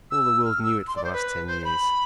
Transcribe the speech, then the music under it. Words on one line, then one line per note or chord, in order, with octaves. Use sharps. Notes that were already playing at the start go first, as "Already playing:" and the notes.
All the world knew it for the last ten years.
E6
F6
E6
C6
D5
C5
B4
C5
B5